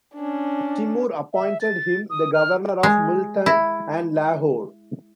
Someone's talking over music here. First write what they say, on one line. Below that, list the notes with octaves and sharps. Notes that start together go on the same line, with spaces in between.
Timur appointed him the governor of Multan and Lahore.
C#4 D4
E5
A6
D#6
F6
G#3
E4